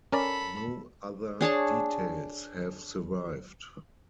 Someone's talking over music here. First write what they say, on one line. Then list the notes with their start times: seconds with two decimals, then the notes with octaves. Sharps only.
No other details have survived.
0.12 C#4 A4 A#4 D5 B5
1.41 D4 G#4 C#5 A5